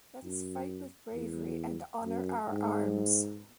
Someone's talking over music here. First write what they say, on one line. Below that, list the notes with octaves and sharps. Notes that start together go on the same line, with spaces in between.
Let us fight with bravery and honor our arms.
F#2
E2
F#2
G#2